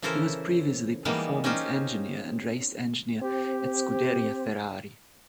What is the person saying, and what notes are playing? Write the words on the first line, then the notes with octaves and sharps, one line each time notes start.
He was previously Performance Engineer and Race Engineer at Scuderia Ferrari.
C#3 E3 E4 A4 A#4 C5
E3 G3 G#3 A#3 B3 D#4
C#4 D#4 F4 G4 C5
C4 G4